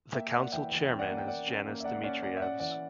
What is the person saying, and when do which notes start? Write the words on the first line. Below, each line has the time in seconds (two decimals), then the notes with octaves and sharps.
The Council Chairman is Janis Dimitrijevs.
0.14 A#3 E5 G5
0.33 A#3 D5 F#5
0.52 E3 E5 G5
0.72 E3
0.90 C#4 G5
0.99 D5 F#5
1.09 A#3
1.18 G5
1.27 A#3 D5 F#5
1.48 C#4
1.66 A#3
1.80 E5
1.84 A#3 D5 F#5
2.03 C#4 D5 F#5
2.23 C#4 D5 F#5
2.37 E5
2.42 C#4 D5 F#5
2.60 E3 D5 F#5